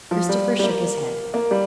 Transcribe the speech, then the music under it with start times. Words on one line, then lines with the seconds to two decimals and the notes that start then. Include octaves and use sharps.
Christopher shook his head.
0.11 F3
0.29 G3
0.59 G3
0.64 A#3
1.34 A#3
1.51 G3